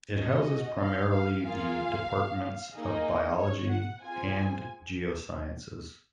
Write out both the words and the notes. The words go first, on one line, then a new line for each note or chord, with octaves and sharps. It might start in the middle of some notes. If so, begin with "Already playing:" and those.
It houses primarily the departments of biology and geosciences.
C#4 F#4 D#5
F5
F5
A#3 F4 G#4 F5
A#3 D#4 G#4 D#5
C#5
F#5
C4 F4 G#4 G#5